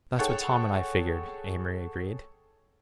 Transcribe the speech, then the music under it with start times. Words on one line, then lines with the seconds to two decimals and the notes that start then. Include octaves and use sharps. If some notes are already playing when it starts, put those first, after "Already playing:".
"That's what Tom and I figured," Amory agreed.
0.18 G#4 A4 C#5 F#5 G5